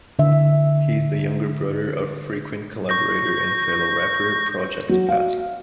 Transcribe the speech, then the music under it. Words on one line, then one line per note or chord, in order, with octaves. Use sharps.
He is the younger brother of frequent collaborator and fellow rapper Project Pat.
D3 E5
C#6 G6 A#6
F#3
F5